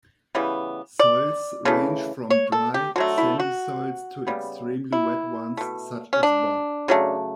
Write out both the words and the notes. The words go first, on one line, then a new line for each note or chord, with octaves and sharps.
Soils range from dry, sandy soils to extremely wet ones such as bog.
C#3 E3 G3 B3
D5
C#3 E3 A3
C#5
A4
G4
D3 F#3 A3 F#4
E4
F#4
C#3 G3 B3
E4
B2 A3
C#4
D4
C#3 F#3 A3